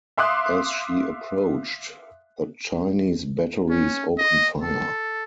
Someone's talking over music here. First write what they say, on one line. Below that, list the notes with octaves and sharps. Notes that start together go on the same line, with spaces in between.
As she approached, the Chinese batteries opened fire.
E5 F5 C6 D6 D#6 F#6
C#4
D#5
A4